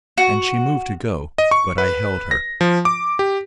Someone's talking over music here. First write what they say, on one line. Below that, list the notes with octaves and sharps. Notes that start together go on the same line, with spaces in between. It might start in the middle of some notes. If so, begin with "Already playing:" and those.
And she moved to go, but I held her.
F#4
D#5
C#6
B4
A#6
F3
D6
G4